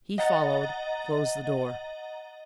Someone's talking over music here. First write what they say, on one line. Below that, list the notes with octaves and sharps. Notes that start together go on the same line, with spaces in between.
He followed, closed the door.
D#5 F#5 A#5 A6